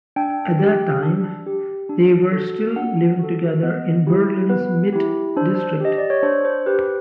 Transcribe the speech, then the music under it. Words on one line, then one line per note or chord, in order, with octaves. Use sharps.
At that time, they were still living together in Berlin's Mitte district.
D4 G5
G4
D4
G4
D4
F#4 A4
D4 F#5
F#4 A4
B3 D#5
E4 G4
B3 B4
E4 G4
D4 C5
G4 D#5
D5
C#5
D4 C5
C5
G4 B4